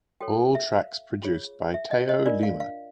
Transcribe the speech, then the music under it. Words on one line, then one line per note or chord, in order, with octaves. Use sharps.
All tracks produced by Teo Lima.
F#4 A4 C#5 G5
E5
F5
F4 G#4 C#5
E5
D#5
D#5
D4 F4 A#4 D5
F5
F5